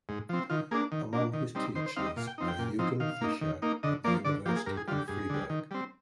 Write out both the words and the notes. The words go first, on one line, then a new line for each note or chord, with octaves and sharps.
Among his teachers were Eugen Fischer at the University of Freiburg.
G#2
F3 C4
D#3 F4
A#3 D4 G#4
D#3
A#3 D4
D#3
G3 C4 D#4
D#3 C5
C5
G3 C4 D#4 F5
D#5
A#2 F5
G5
F3 C4 D#4
G5
A#2
F3 C4 D#4
D#3 F5
A#3 D#4
D#3
A#3 D#4
D3 D#5
F3 A#3 D5
D3 D5
F3 A#3 G4
G#4
G2 A#4
G#4
D3 G3 F4
G4
G2 G#4
D3 G3
D#3
G3 C4